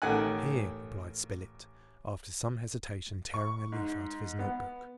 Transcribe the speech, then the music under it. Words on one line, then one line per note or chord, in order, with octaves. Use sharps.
"Here," replied Spilett, after some hesitation tearing a leaf out of his note-book.
A1 D#3 A3 F#5 G#5 F#6
C#6
G#2
B3